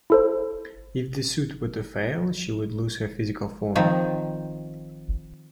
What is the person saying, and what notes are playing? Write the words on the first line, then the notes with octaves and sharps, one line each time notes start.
If the suit were to fail, she would lose her physical form.
E4 A4 C5
D#3 F3 C4